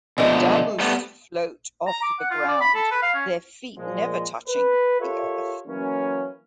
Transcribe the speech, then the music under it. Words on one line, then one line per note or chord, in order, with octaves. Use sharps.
Dabus float off the ground, their feet never touching the earth.
B2 D3 F3 G#3 A3 D#4
G3 A3 B3
A#5
D6
F#5
F4
D5
B5
A4
B4
F5
C#4
A#2 F3 G#3
B4
F4 G4 A4 A#4 C#5 E5
E3 F#3 A#3 C#4